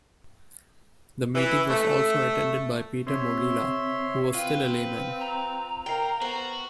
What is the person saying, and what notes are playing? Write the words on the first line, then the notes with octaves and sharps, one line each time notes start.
The meeting was also attended by Peter Mogila, who was still a layman.
E3
A3
C3 C#5 E5 C6
C4 F4 B4
A#5
A#4 F5 G5
B3 F#4 C5